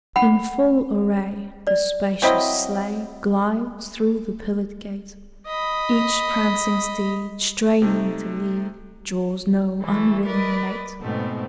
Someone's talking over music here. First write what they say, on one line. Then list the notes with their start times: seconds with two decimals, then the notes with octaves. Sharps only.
In full array, the spacious sleigh Glides through the pillared gate: Each prancing steed, straining to lead, Draws no unwilling mate.
0.16 F#5 B5
1.67 D5
2.22 F#3 C4 E4 D#5
5.47 D#5 B5
7.82 C3 A3 D#4
9.83 E3 G3 A3
10.25 A#4 B4 D5 D#5
11.01 G#2 B2 A3 B3 C4